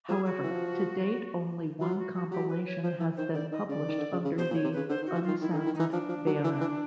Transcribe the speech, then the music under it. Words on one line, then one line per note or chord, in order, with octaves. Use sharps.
However, to date only one compilation has been published under the "Unsound" banner.
F3 G#4
F#4
E3
F3
F#3 F4
F#4
F#4
F#3 G4
B4
C#5
F3 C5
E3
D#3 C5
D3 D5
D#3 D#5
C#3 D5
D#3
D3
C#3
C#3
B2 C5
A#2
C#5
C3
C#3 B4
D3 C5
D#3
F#4
E3
D#3 F4
D#3 E4
D3 D#4
E4
D#3
E3 D#4
F3 D4
F3
F#3
E3
E3